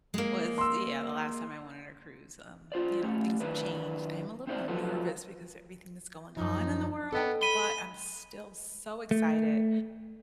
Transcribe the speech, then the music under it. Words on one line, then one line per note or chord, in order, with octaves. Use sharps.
was, yeah, the last time I went on a cruise, um, you know, things have changed. I am a little nervous because everything that's going on in the world, but I'm still so excited
G#3 A#3
C6 E6
F4 C5 D5
A3 C#4 G4
D#3 D4 E4 B4
C4 D#4 E4 C5 D5
F3 F#3 F4 A4 B4
F#2 F3 D#4
B3 A4 D#5 G5
B5 D#7 G7
A3